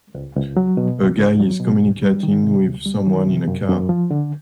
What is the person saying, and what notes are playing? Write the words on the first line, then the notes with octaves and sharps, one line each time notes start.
A guy is communicating with someone in a car.
C#2
C#2
F#3
B2
C#2
C#2
F#3
B2
D2
G3
D#3
C3
D2
G3
D#3
C3
F#2
F#2
F3
D3